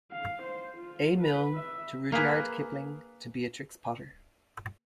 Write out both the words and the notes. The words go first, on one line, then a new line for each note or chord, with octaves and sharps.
A. Milne to Rudyard Kipling to Beatrix Potter.
F5
C5
F4
B4
E5
A#3 G#4 B4